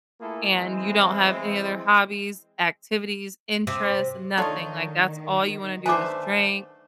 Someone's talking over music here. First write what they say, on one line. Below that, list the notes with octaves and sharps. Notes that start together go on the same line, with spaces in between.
and, you don't have any other hobbies, activities, interests, nothing, like, that's all you wanna do is drink,
A3 A#3 E4 F4 G#4 A4
E3 G#3 C4
C3
D#3 A3 D4 D#4 F4 C#5
D3 A3 D#4 B4 C5 G#5 D6